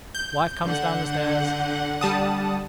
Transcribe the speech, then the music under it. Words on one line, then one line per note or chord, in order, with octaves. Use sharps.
Wife comes down the stairs.
G6
D3 F#5
G3 A5 D#6